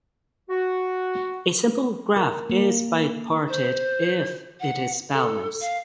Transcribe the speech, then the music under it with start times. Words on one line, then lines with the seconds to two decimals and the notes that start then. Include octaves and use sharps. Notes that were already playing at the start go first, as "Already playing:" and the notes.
A simple graph is bipartite iff it is balanced.
0.49 F#4
2.17 A#4
2.50 A#3
3.48 C5
4.60 F#5
5.13 A4
5.61 F5